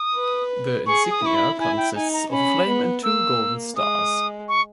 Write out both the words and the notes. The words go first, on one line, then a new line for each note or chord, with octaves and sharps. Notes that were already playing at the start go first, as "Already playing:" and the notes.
The insignia consists of a flame and two golden stars.
Already playing: D#6
B4
G#4 C#6
D#6
E4 C#6
B5
E4 G#5
G5
D#4 G#5
A#5
C#4 B5
B3
A#3 E6
G#3 D#6
C#6